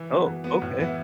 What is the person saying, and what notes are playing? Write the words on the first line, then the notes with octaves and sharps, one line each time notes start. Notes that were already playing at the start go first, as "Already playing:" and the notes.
Oh, okay.
Already playing: E3
B3 F#4
E3
B3 F#4
A2
E3 B3 E4